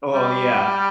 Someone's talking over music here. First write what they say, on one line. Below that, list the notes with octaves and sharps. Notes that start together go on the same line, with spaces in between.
Oh, yeah.
G3